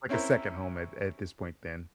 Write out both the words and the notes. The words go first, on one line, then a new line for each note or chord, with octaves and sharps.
Like a second home at at this point then.
C4 C#4 E4 A#4 C5